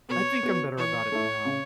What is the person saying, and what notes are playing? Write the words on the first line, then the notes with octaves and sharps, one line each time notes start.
I think I'm better about it now.
B2 C#5
B3 F#4
E3 C#5
A3 E4
C#3